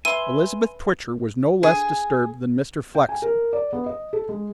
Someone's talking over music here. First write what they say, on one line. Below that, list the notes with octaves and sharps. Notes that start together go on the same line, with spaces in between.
Elizabeth Twitcher was no less disturbed than Mr. Flexen.
B4 E5 G#5 C6 D#7
G#4
G5
G#5
A#4
D5
B3
D#5
A4
G#3